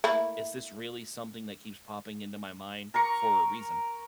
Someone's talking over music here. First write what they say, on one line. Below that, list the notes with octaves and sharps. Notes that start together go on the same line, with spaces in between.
is this really something that keeps popping into my mind for a reason?"
A3 A#3 E4
A#4 A#5 C#6